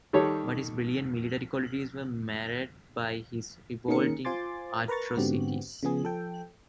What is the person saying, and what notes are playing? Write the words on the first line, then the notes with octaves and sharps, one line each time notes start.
But his brilliant military qualities were marred by his revolting atrocities.
D#3 G3 G4 A4 C#5
D#3 A#3 C#4 G#4 A#4 C#7
F4 C5 G#5 C6 D6 A6
A#4 B4 A#5 C#6 A6
G#2 D3 B3 C4 F#4 G4
C#3 F3 B3 G#4
F3 A4 G5